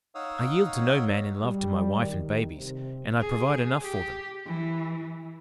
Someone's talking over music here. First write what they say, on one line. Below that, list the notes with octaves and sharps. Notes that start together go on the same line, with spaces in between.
I yield to no man in love to my wife and babies, and I provide enough for them.
D#4 C#5 F5 F#5 D#6 E6
G3
D#3
C3
G#4
G4
E3